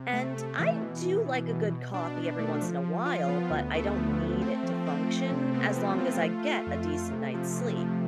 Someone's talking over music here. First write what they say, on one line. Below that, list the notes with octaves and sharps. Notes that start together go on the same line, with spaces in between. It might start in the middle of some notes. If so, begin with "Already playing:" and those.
and, I do like a good coffee every once in a while, but I don't need it to function, as long as I get a decent night's sleep.
Already playing: C3
A3
A3
E3
B2
B2
B2
B2
B2
D4
B2
A3
F3
F3
F4
B3
D2
A3
F3
A3
C4
F3
C4
A3
C3
B3
F3
F4
A3
A3
F2
A3
C3
F3
C3
F3